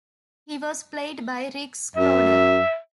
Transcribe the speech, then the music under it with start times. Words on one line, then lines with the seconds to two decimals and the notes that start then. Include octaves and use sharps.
He was played by Rick Schroder.
1.96 F#2 E5